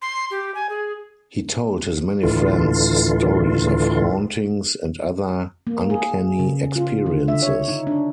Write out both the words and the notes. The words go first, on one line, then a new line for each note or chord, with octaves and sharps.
He told his many friends stories of hauntings and other uncanny experiences.
C6
G4
G#5
G#4
D2 A2 D3 E3 F4
A#3
G#4
C#3
F4
D3
E5
C#5
D#4
D4